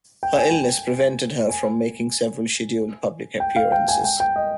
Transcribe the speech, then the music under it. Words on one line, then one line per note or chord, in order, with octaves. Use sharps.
Her illness prevented her from making several scheduled public appearances.
G5
G#5
G5
G#5
G5
F5
G5
G#5
G5
G5
D#5